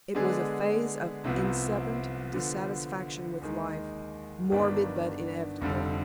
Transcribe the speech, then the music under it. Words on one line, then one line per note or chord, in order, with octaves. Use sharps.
It was a phase of incipient dissatisfaction with life, morbid, but inevitable.
D3 G#3 B3 D4 G#4
C2 C3 F3 B3
D3 F3 B3
D#2 D#3 G#3
G1 G2 D#3 B3 D4
F1 F2 D3 G3